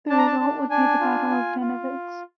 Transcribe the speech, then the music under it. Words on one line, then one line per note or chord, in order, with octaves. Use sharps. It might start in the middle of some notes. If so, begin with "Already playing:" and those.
The result would be the Battle of Dennewitz.
D4 A5
A#5
A5
D4
D4 G#5
F4
F4
F4